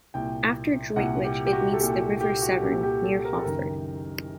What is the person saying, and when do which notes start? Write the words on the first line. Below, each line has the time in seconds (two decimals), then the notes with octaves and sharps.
After Droitwich, it meets the River Severn, near Hawford.
0.14 C2 A#2 G5
0.96 C2 A#2 F#5
1.24 G4
1.46 G4
1.53 F#4
1.73 A4
1.79 C2 A#2 G4
2.21 G4
2.42 F#4
2.62 C2 A#2 G4
2.83 G4
3.04 A4
3.25 A#4
3.38 A4
3.44 F#1 F#2 D#3 A#4